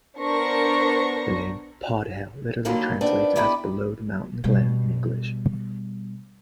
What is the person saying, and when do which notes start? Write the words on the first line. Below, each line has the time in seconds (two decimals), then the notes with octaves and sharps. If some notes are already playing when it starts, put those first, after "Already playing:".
The name Podhale literally translates as "below the mountain glen" in English.
0.18 B3 D4 A#4 C5 C#6 A#6
2.65 D3 D#3 F#3 G3 A#3 D#4
3.01 F2 D#3 B3 C4 D4
3.36 D3 B3 D#4 E4 G4
4.44 B2 G3